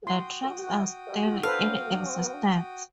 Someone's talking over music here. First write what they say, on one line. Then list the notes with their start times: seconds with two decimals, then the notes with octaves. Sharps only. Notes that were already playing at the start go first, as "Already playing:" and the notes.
The tracks are still in existence.
0.07 F#4 G5 C6 D#6
1.43 A4 B4 C5 F5